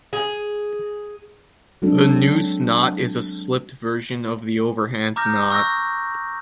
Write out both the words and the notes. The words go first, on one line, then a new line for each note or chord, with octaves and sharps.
The noose knot is a slipped version of the overhand knot.
G#4
F#3 G#3 C4 D4 F#4 A4
A#5 D6 D#6 F6 G6 A#6
C#6 E6 F#6 G6 A#6